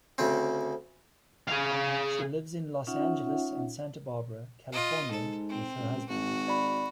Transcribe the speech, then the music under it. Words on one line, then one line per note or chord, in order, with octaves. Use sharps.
She lives in Los Angeles and Santa Barbara, California with her husband.
D2 C#3 C4
G#4 F5
C#4 D#4 F4 C#5 E5 F#5
F4 D#5
G#2 A4
C4
C#2
G#1 F#4
D5 B5